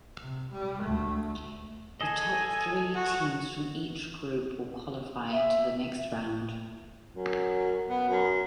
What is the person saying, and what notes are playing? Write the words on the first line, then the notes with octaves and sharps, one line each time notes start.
The top three teams from each group will qualify to the next round.
C3
G3
D2 A3
G#4 A4 D#5 G#5
F#4
E5
F#2
B3
F#2